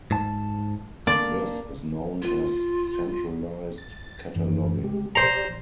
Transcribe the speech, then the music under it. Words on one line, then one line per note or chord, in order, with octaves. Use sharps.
This is known as centralized cataloging.
G#2 A5
A#3 D4 D5
F4
A6
F#2 E3
G#3 G4
G4 C5 D5 A#5